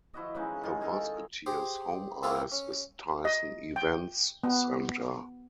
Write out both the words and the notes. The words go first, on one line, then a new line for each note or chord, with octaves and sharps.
The Musketeers' home ice is Tyson Events Center.
F3 E4 F#4 D#5
C#3 E3 G#3 D#4
D#3 D#4 F4 G#4
A4 D#5 F5 G#5
G4 G#4 C5
A#3 C4 E4 F4 G#4 A4
C#4
D#5
G5
B3